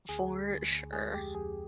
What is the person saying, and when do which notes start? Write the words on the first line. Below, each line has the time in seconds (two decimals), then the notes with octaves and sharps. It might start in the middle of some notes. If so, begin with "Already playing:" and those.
For sure.
0.09 D2 G#4
0.30 D2
0.50 D2
0.71 D2
0.92 G#3 G#4
1.14 F2 G4
1.35 F2 G#4